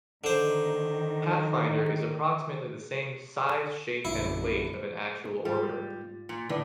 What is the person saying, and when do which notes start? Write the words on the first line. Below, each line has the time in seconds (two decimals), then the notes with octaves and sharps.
"Pathfinder" is approximately the same size, shape and weight of an actual Orbiter.
0.24 D3 D#3 C5
4.05 A#1 F#2 B2 D3 E4
5.45 G#2 G3 F4
6.29 A#2
6.49 A2 D3 B4 D5